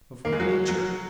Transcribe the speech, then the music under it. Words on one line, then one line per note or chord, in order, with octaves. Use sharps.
Of what nature?
A#3
G#3
F#3
F#3